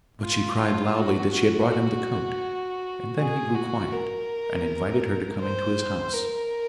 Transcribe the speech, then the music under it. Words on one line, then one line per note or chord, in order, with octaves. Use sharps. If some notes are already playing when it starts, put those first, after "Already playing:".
But she cried loudly that she had brought him the coat, and then he grew quiet, and invited her to come into his house.
F4
F#4
F#4
G#4
F#4
A#4
C5
A#4